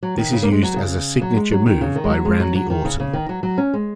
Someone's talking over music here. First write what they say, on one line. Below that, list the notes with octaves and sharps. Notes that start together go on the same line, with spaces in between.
This is used as a Signature move by Randy Orton.
F#3
D#3
C#3
A#3
G#3
F#3
C#3
F#3
G#3
F#3
D#3
C#3
D#3
G#3
F#3
G#3
F#3
F#3
D#3
C#3
C#3
D#3
F#3
F#3
C#4
G#3